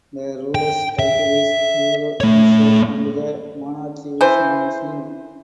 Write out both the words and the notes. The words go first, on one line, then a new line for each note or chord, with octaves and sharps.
The ruler's title is "Uro Eso" and the monarchy is now Muslim.
G5
E5
A3 C#5
E3 C5